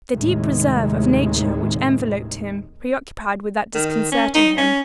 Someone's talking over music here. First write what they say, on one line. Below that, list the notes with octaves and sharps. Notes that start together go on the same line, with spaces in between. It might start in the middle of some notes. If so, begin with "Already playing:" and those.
The deep reserve of nature which enveloped him preoccupied without disconcerting him.
D#2 A2 C3 D#3 G#3
D#3
C#4
D#4
C#4